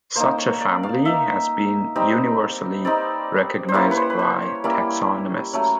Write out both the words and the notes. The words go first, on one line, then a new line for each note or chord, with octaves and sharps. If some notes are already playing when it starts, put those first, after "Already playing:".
Such a family has been universally recognized by taxonomists.
A#3 D#4 C5
C#5
D5
F5
A#3 D#4 E5
G3 C4 D#4
G3 C4 D#4 D5
C5
G3 A#3 C#4 E4 C#5
B4
C5
B4
C5
C#5
G3 A#3 C#4 E4
F#3 A3 C#4